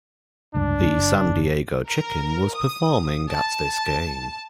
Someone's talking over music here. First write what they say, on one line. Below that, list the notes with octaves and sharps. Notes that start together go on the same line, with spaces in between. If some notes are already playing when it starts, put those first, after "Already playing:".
The San Diego Chicken was performing at this game.
F1 C#2 G2 D4
F#1
A#4
D#6
A5